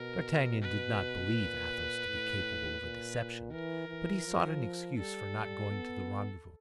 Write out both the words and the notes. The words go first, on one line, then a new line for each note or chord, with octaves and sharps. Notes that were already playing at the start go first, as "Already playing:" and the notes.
D'Artagnan did not believe Athos to be capable of a deception, but he sought an excuse for not going to the rendezvous.
Already playing: B2 A#4
B4
A#2
A2
A#2
E3 A#4
E3
F3
G3 A4
B3